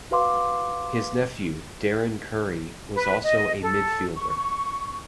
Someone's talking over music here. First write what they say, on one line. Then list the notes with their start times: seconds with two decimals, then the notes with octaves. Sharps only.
His nephew, Darren Currie, was also a midfielder.
0.11 F#4 B4 F5 C6 D6
2.94 B4
3.23 D#5
3.62 A4
4.16 C#6